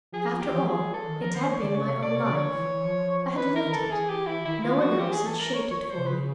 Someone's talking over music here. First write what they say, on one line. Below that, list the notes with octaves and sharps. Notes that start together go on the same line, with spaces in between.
After all, it had been my own life; I had lived it; no one else had shaped it for me.
F3 G#4
F3
E3 G4
F3
E3 G#4
E3
E3 A4
D#3
F3 A#4
D#3 C5
E3 C#5
D3 D5
C#3 C#5
C3 C#5
B2 D5
C3 C#5
D3 D5
C#5
E3
E3
F3
E3 B4
E3
A#4
D#3
A4
E3
G#4
G4
E4
D#3 E4
D#3 F4
F3 F#4
E3 G4
G#4
A4
A#4
C#5
C#5
C#5
C5
C3
C#3 B4